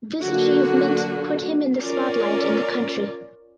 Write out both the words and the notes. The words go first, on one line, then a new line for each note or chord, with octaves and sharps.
This achievement put him in the spotlight in the country.
D3 F#3 A#3 D4 F#4
C#4 F4 A#4 D5